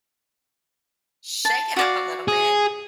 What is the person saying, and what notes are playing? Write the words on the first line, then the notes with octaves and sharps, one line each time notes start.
shake it up a little bit.
A5
F#4 D5 F5
G#4